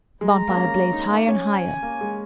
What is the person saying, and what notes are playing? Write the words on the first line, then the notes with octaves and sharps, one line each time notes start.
The bonfire blazed higher and higher.
G#3 A#5
A#3
C#4
A#3
C#4
D#4
A#3
C#4 G#5
A#3
G#3